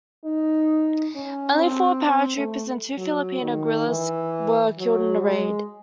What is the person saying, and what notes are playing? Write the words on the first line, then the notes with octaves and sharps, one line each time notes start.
Only four paratroopers and two Filipino guerrillas were killed in the raid.
D#4
C#4
C4
C4
A3
F#3
D#3
E3
F#3
G#3